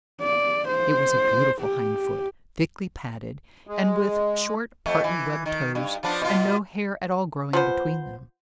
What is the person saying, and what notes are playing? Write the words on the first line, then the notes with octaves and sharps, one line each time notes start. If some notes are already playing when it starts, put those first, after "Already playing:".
It was a beautiful hindfoot, thickly padded, and with short partly webbed toes, and no hair at all growing between them.
D5
C5
G4
G#3
F2 A3
E3
D#3
G2
F3 B3 D4
B2 F4
F3 B3 C5